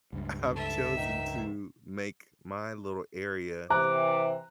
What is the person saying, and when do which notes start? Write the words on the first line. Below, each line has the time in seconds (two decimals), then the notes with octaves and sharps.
I've chosen to make my little area
0.13 C#2 G2
0.55 A4 E5
0.96 D#3
3.70 C3 E3 C5 A#5 D6 F#6